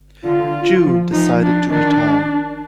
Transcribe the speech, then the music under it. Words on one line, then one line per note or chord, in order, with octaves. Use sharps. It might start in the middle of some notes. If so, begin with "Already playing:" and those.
June decided to retire.
D3 F4
F3
F3 D#4
D4
D#3 D4